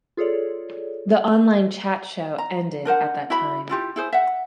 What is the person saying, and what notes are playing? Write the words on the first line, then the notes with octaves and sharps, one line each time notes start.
The online chat show ended at that time.
F4 G#4 A4 C#5 D5
A#5
D4 A#4 C5 F#5
E4 F#4 E5 B5
E4 F4 G4
E4 G#4 C5
E5 F#5